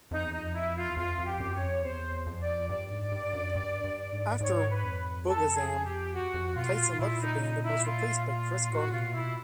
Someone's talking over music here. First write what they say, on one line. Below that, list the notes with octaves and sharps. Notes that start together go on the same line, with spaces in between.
After "Boogazm", Tyson left the band and was replaced by Chris Gartner.
F2 D#4
E2
D#4
F2
E4
F4
E2
F2 F4
F2
G4
F#2
C#5
F2
E2 C5
F2
D5
G2 D5
G#2
G2
F#2
G2
G2
G#2
G#2 C#5
B4
F2
A4
G#4
G4
F#4
F2
B2 F4
A#2
A#2 E4
D#4
D#4
E4
F4
F4
A2 F#4
A#2 F4
B2 E4